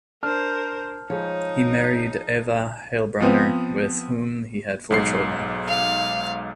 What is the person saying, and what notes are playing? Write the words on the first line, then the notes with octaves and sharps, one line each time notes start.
He married Eva Heilbronner with whom he had four children.
D4 A#4 C5 A5 F6
F3 G#3 D#4 C#5
F3 B3 C4
B1 G#2 C7
F5